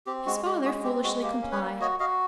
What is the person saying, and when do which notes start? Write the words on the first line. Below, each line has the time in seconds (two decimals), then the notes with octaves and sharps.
His father foolishly complied.
0.06 C4 G4
0.26 G#3 F#4
0.45 G#3 G4
0.64 G#3 F#4 G#4
0.84 C4 G4
1.03 G#3 F#4
1.23 A#3 G4
1.42 C#4
1.51 B4 C#5
1.61 A#3
1.80 F#4 C#5 D#5
2.00 F#4 D#5 F5